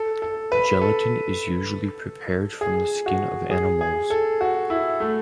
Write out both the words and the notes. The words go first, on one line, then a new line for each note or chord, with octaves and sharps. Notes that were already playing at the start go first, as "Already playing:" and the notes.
Gelatin is usually prepared from the skin of animals.
Already playing: A4
A4
B4
A4
G#4
F#4
G#4
G#4
A4
F#4
E4
A3